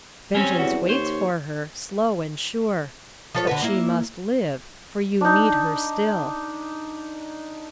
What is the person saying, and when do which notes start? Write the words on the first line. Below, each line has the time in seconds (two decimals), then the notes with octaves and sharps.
Vengeance waits for her, slow and sure; but she must live, for you need her still.
0.35 G3 C4 C#4 G#5
0.59 E2 F#4
0.89 D#2 C5 C#5
3.34 F3 A4 C#5
3.47 D3 F#4 B4
3.62 A#3 E4
5.21 D4 D#4